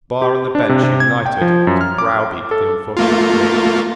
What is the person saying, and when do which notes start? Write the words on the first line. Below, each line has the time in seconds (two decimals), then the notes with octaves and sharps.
The bar and the bench united to browbeat the unfortunate Whig.
0.22 G4
0.55 D4
0.69 C3
0.83 C3
1.00 G#6
1.26 G5
1.41 F3
1.67 F#2
1.81 F6
1.98 D6
2.51 A4
2.97 A3 A#3 F4